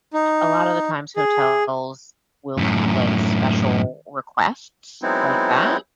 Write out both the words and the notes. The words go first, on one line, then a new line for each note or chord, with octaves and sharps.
A lot of the times hotels will do, like, special requests like that.
D#4
G#4
F#2 A2
F#3 G#3 B3 C4 D#4 E4